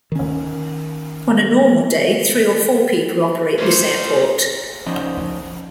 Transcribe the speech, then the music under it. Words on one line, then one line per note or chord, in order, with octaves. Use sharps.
On a normal day, three or four people operate this airport.
D#3 C#4
F3 A3 A#3 C#4 D#4 C5
F3 C#4 D#4 C5 D5 D#5